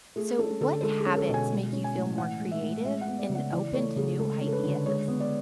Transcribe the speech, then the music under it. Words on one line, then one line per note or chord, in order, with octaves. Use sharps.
So, what habits make you feel more creative and open to new ideas?
A3 G#4
C#4 A4
D3 A4
G#3 A4
G#4
C#4
A4
B2
G#5
G#3
C#4
G#5
A2
E3 F#5
G#3
E5
A2
G#3 E5
F#5
B3
D5
C#3
F#5
E3 D5
A3 C#5
C#3 G#4
G#3 A4
C#4
A4
B4
D3
G#3 C#5
B3
D5